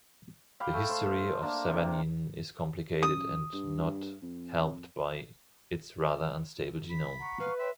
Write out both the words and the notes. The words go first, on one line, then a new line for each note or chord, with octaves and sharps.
The history of Savagnin is complicated and not helped by its rather unstable genome.
F5 G5 B5 D6
A3 A5
C5 F5
A#3 D4 D5
C3
F#2 D#6
G2
F2
B5
F#5 A#5 C#6
B4 F5
C#5 E5 G5 C6